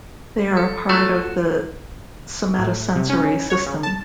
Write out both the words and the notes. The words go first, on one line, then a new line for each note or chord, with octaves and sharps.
They are a part of the somatosensory system.
A4
A3 F4 F#4 A4
A2
C3
C#4
C#5
C#3
A5